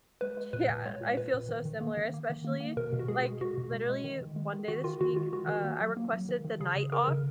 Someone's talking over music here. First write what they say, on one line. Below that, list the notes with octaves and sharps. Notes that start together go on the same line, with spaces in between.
Yeah. I feel so similar, especially, like, literally, one day this week, uh, I requested the night off
G#3 B4
G#3
A#2 B4
A#2
G#3 C#5
A#2
A#2 B4
A#2
D#3
D#3
A#3
D#3
A#3
D#3
A#3
A#3
B2 A#4
B2
F#4
G#3 G#4
G#3
B2 F#4
B2
G#3
G#3
D#3
D#3
G#3
D#3
D#3 F#4
D#3 F4
D#3 F#4
G#3 F4
D#3 F#4
D#3
A#3
F#3
A#3
F#3
D#3
D#3
C#3 G#4
C#3
C#3 A#4
C#3